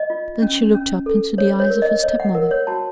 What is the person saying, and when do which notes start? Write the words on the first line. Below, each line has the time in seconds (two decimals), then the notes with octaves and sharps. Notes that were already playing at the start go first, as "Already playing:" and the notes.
Then she looked up into the eyes of her step-mother.
Already playing: D#5
0.10 F4
0.42 C#4
0.75 C#4
1.06 A4
1.38 C#5
1.60 C#5
1.70 A#4
1.82 D#5
2.03 C#5 D#5
2.20 F#5
2.35 A#4 F#5
2.51 C#5
2.67 F#4 A5